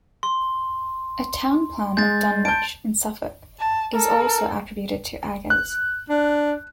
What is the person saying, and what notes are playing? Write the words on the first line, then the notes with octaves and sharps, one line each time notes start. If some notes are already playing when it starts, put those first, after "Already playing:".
A town plan of Dunwich in Suffolk is also attributed to Agas.
C6
G#3 G6 A6
A5 G6 D7
A5
A4 A#4
F#6
D4